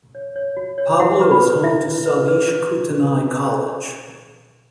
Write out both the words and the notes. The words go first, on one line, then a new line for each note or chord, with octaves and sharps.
Pablo is home to Salish Kootenai College.
C#5
C#5
F#4
C#5
E4 F#5
B4
B5
B4
E4 E5
E4
B4
B4
B4